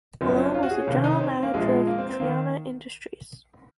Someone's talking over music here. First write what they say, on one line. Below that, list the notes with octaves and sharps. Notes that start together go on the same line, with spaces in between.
Malone was the general manager of Triana Industries.
F#1 F#2 F3 C4
C#4
C4
C#4
F4
F#4
G#4
C#4
C2 C3 D#3 A#3
C4
D#4
C#4
C4
C4
A#3
A#1 A#2 F3 G#3
A#3
C4
C4
D#3 A#3